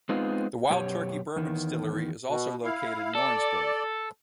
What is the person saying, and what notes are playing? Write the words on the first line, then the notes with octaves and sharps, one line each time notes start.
The Wild Turkey bourbon distillery is also located in Lawrenceburg.
G#3 B3 C4 D#4 F4
F#2 B2 G4 C#5
E2 D#3
B2
E4 F5
A4 D5